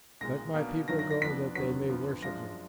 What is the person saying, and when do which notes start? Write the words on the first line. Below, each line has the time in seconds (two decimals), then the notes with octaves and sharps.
Let my people go that they may worship me.
0.21 B1 A#2 G#3 A#6
0.54 B1 B2 A#3 D4
0.88 F#2 D#3 F#3 D4 F4 A#6
0.99 A#6
1.11 A#6
1.21 F2 F3 B3 D4 B6
1.55 F1 D#2 D3 F#3 B3 B6
1.89 F2 D3 F3 B3
2.23 F#2 F3 G#3 D4 F4 A#6